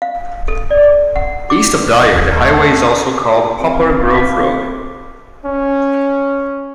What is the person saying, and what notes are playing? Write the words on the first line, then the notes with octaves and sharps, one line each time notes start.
East of Dyer the highway is also called Poplar Grove Road.
F5
A4
D5
F#5
D6
D#1
A3
C3 F5
D6 B6
C#4